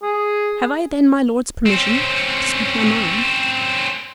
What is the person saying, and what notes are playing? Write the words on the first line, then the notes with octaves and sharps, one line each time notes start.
"Have I then my Lord's permission to speak my mind?"
G#4
C4 C#4